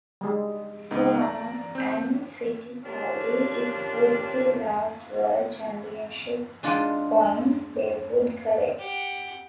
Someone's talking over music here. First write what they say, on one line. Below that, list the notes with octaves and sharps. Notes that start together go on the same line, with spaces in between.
For Mass and Fittipaldi it would be last world championship points they would collect.
G3 G#3
C#2 B3 D#4
D5 A#5
C4 G6
F3 C#4 D4 G4 A#4
G#3 D4 F4 D#5 F#5 G5
G4 F#5